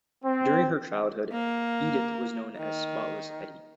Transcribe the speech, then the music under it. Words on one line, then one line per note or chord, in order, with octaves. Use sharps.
During her childhood, Edith was known as Spotless Edie.
C4
A#3
D#3